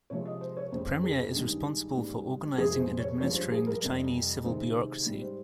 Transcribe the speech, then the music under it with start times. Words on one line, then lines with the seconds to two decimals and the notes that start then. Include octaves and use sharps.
The Premier is responsible for organizing and administering the Chinese civil bureaucracy.
0.10 C3 F3 G#3 C#5
0.25 D#5
0.41 C5
0.57 C#5
0.72 F2 C#3 G#3 C5
1.04 G#4
1.34 G2 D#3 G#3
1.96 G#2 G3
2.58 F2 C3 F3 G#3 G#4
2.79 C5
2.99 C#5
3.20 G2 F3 G#3 C#5
3.35 C5
3.52 G#4
3.67 A#4
3.82 F2 C3 G3
4.44 C3 D#3 G#3 C5
5.06 G#2 G3
5.22 C5